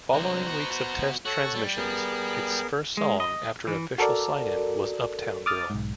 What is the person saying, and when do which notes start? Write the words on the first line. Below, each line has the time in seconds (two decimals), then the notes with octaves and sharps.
Following weeks of test transmissions, its first song after official sign-in was Uptown Girl.
0.13 C2 D3 C5 A#5
0.47 B3 F#4
1.26 F#4 A4 C#5
1.55 G3
1.76 B3 G#4 A#4
2.97 G#3
3.20 D#5
3.67 E3
3.98 F#4 A4 A#4 D5
5.46 D6 D#6 F6 A6
5.70 B1 G#2